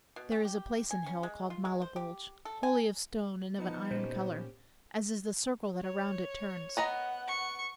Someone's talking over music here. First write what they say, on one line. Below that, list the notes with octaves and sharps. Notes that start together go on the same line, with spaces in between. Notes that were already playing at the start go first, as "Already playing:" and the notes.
There is a place in Hell called Malebolge, Wholly of stone and of an iron colour, As is the circle that around it turns.
B2
C#4
G4
G#5
C#4
G#3
F4
G#3
C5
G4
A4
G#5
F3 B3 D#4 A5 C#7
A#2 C#4 G4 C5
C#5
B3 D#5 F#5 A#5
C#6